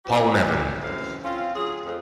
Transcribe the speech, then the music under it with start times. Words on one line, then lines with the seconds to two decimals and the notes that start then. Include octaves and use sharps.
Paul Nevin.
0.06 E3 F#3 B3 C4 G4
0.82 F#2 A2 E3 C4 F5
1.24 C4 C#4 F4
1.56 D2 F#3 G#4
1.85 F2